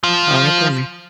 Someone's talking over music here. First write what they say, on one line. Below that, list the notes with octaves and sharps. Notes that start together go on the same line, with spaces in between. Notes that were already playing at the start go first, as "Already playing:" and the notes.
Oh boy.
F3 F4